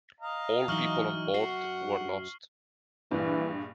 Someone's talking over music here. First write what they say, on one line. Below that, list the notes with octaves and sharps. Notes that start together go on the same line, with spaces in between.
All people on board were lost.
D#5 F5 A#5
E3 F#3 D#4 C#6 F6 F#7
F#2 F#4 F#5 C7
A#1 G2 E3